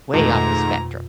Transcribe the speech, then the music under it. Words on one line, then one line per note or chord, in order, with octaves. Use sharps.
way off the spectrum.
F2 G#2 B2 D#3 A3 A#5